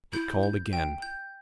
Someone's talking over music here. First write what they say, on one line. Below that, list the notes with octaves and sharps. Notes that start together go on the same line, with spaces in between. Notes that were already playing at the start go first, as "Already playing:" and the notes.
It called again.
E4 G6
G6
G5
G6